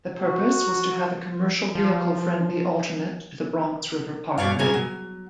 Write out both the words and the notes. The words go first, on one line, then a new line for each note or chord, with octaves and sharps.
The purpose was to have a commercial-vehicle friendly alternate to the Bronx River Parkway.
F#4
F3
G2 B2 C#5 D5 F5
A#2 C#3 G#3 A#4 G#5
F#3